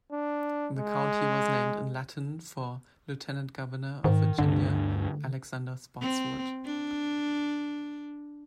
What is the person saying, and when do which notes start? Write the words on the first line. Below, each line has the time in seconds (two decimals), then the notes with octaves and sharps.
The county was named in Latin for Lieutenant Governor of Virginia Alexander Spotswood.
0.12 D4
0.77 G#3
4.04 G#2 D#3
4.38 D2 G2 D3 D4
6.02 C4
6.66 D4